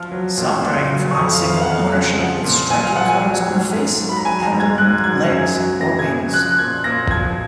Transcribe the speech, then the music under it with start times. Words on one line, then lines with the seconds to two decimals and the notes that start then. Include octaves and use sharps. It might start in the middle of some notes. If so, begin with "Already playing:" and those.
Some dragonflies signal ownership with striking colours on the face, abdomen, legs, or wings.
Already playing: F3 F6
0.12 F#3
0.37 A#2
0.63 A#2
0.89 F#3
1.11 C#6
1.15 F2 D#6
1.32 F5
1.41 F3
1.49 F5
1.61 F#5
1.67 F2 F5
1.92 C#3
2.18 F3 F#5
2.44 A#2
2.70 A#2 G#5
2.84 F5
2.96 F3 F#5
3.09 G#5
3.21 F#3
3.48 G#2
3.74 G#2
4.00 F#3
4.09 B5
4.16 A#5
4.25 F#3 G#5
4.42 A#5
4.52 G#2
4.60 G#6
4.78 G#2 F#6
5.04 F#3 G#6
5.29 F#2
5.56 F#3
5.81 F#2 A#6
5.99 G#6
6.08 C#3
6.33 F3 F#6
6.51 F#6
6.59 A#2 G#6
6.84 A#2 A#6
7.10 F3 G#6